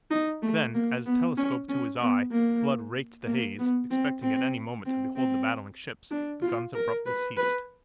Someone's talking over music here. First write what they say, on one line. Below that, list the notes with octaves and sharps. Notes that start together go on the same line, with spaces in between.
Then, as, telescope to his eye, Blood raked the haze, expecting at any moment to behold the battling ships, the guns abruptly ceased.
D#4
A3
A#3
B3
C#4
C#4
B3
A#3
A#3
B3
C4
C4
C4
C4
D4
F4
A#4
B4
B4